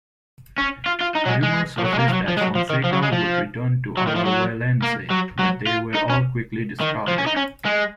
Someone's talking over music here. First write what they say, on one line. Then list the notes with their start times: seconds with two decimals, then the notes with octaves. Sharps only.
Rumors surfaced that Fonseca would return to Alajuelense, but they were all quickly discarded.
0.58 C#4
0.86 F4
1.01 F4
1.15 D#4
1.25 F#3
1.28 G#3
1.43 G#3
1.78 F3
1.84 F#3
1.92 G#3
1.99 A#3
2.09 F3
2.13 F#3
2.28 F3
2.37 G#3
2.41 F#3
2.55 F3
2.70 D#3
2.84 F3
2.93 F#3
3.03 G#3
3.13 F3
3.97 F#3
4.07 D#3
4.16 F3
4.26 F#3
4.82 A#3
5.10 F#3
5.39 F#3
5.67 F4
5.95 D#4
6.10 C#4
6.80 D#3
7.08 F3
7.18 C#4
7.26 D#4
7.36 C#4
7.65 G#3